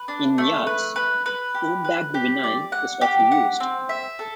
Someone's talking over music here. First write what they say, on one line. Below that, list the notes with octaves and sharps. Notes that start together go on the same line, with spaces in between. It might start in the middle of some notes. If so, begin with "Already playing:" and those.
In yachts, foam-backed vinyl is often used.
Already playing: B4
D4
A3
B4
B4
B4
G4
B4
G4
D5
F#5
G4
F#5
C4
E5
A4